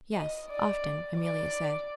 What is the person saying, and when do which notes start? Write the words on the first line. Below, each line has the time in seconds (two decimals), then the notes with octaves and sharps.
"Yes, often," Amelia said.
0.14 D#5
0.48 D5
1.17 D5